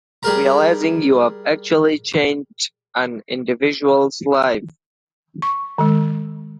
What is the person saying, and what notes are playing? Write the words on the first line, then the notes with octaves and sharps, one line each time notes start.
Realizing you've actually changed an individual's life.
G3 G#4 A#4 A#5
C#6
D#3 G#3